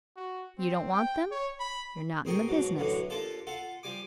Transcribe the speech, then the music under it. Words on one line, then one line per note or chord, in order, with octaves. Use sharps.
You don't want them--you're not in the business.
F#4
C4
G5
C#5
B5
A1 C4 G#4 A#4 G5 C#6
G#2 B2 F#3
F#2 A2 D3 E3 F#3
D#2 D4 F4 A4 A5
F4 A4 F#5
F3 G3 G#5 D6